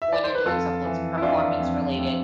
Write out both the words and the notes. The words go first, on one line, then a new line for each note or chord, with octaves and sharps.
when you're doing somethings performance-related.
E5
D5
C5
B4
F2 F4 A4
E3
E4
E3 D4 F4
F2
F2